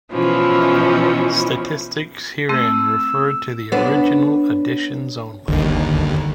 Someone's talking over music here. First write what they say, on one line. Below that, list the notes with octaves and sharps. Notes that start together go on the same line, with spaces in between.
Statistics herein refer to the original editions only.
B2 E3 F3 C#4 E4
A3 C4 E6
B3 D4 C#5
G1 D#2 D3 D#3